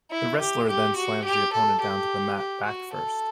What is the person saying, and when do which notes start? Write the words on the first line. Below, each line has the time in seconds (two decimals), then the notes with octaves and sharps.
The wrestler then slams the opponent down to the mat back first.
0.11 E4
0.39 G4
0.68 G4
0.96 F#4
1.25 G4
1.52 A4
1.80 G4
2.37 G4
2.65 F#4
2.93 A4